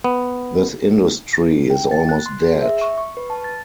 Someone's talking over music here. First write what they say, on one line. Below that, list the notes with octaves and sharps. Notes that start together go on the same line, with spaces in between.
This industry is almost dead.
B3
G5
A6
F#6
C6
G#4
E5
C#6
C#6
B4
A5
A6